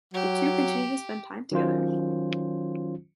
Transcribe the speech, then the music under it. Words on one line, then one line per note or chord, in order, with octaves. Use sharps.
The two continue to spend time together.
F#3 G4
D#3 F#3 C#4 F4 C5